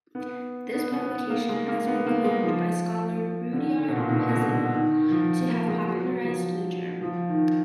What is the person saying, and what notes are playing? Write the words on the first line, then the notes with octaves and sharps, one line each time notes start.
This publication has been claimed by scholar Rudyard Pesimo to have popularized the term.
B3
B3
B3
B3
A#3
G#3
A#3
B3
A#3
G#3
F3
D3
D#3
D3
B2
A#2
B2
A#2
B2
D3
D3
D#3
D#3
F3
A#3
G#3
F#3
F#3
F3
F3
D#3